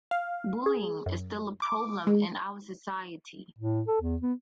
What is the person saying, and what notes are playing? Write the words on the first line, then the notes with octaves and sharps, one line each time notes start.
Bullying is still a problem in our society.
F5
G#4
F#2
D6
G#3
A2
A4
E2
B3